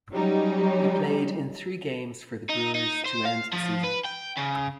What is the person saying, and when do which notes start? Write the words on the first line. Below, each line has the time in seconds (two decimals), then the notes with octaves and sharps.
He played in three games for the Brewers to end the season.
0.13 F#3 G3 C#4 D#4
2.50 D#4
2.75 D#4
3.06 C5
3.25 F5
3.53 F3
3.84 B4
4.05 G5
4.38 C#3